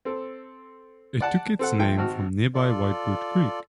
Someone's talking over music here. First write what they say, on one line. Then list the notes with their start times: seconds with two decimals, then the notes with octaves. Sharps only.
It took its name from nearby Whitewood Creek.
0.05 C4 A4
1.21 D5 F#5 A5
1.59 C4 A4 F#5
1.79 F3 A3 G5
1.98 G#1 F#4 F6
2.54 F4 A4 D5